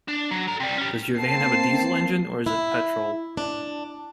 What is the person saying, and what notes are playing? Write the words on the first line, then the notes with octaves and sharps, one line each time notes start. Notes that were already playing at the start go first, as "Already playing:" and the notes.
Does your van have a diesel engine, or is it petrol?
D4
F#3
A4 A#5
C3 G3
C#4 G4
A#3 C4 A5 C7
E4
D4